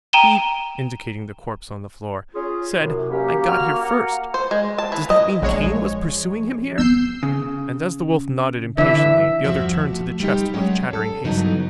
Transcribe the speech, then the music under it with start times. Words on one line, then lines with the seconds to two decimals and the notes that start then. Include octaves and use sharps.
"He," indicating the corpse on the floor, "said, 'I got here first.' Does that mean Kane was pursuing him here?" And as the Wolf nodded impatiently the other turned to the chests with chattering haste.
0.13 G5 A#5 D#7 E7 G7
2.34 C#4 F4 G#4
2.79 F#2 A2 C3
3.11 F#3 A#3 C#4 G4
3.47 F#4 F6
3.81 F#5 A#5
4.34 C5
4.51 G#3
4.78 A5
4.92 E3
5.10 D#5
5.42 A#1 F3 G#3 C#5
6.78 B3 C4 E6 G6 C7
7.23 C#3
8.78 D3 E3 E5
9.44 E2 G2 F3 F#4 E5
9.93 A3
10.20 G3 C4 D#4 G4
10.54 F#3 G#3 C#4 D4 C#5 F#5
10.93 A4
11.24 G2 C#3 E3 F#3 B3 D#4